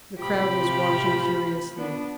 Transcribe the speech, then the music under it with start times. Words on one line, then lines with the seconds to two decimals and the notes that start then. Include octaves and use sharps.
The crowd was watching curiously.
0.19 A2 C3 F3 G4 B5
1.78 B3 D4